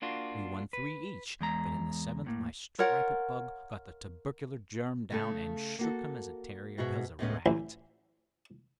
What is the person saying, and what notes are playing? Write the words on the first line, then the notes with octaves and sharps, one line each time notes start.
We won three each, but in the seventh my striped bug got the tubercular germ down and shook him as a terrier does a rat.
A#3 D4 F4 F#4
B4
E2 G#3 A#5
E2 A2 A#3
F4 A#4 C#5 F#5
C#3 A3 A4
A#3 F#4 A4
G#2 B2 F#4 G#4 E5
A2 C3 G#3 A3 B3 C#4
A1